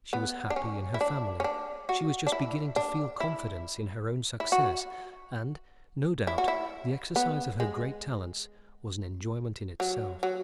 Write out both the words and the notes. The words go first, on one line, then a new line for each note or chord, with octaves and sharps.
She was happy in her family; she was just beginning to feel confidence in her own success; and, no doubt, the exercise of her great talents was an enjoyment in itself.
B3
D4
C#4
E4
D4
C#4
D4
F#4
D4
E4
D4
E4
E4
F#4
E4
F#4
E4
B3
G#3
F#3
F#3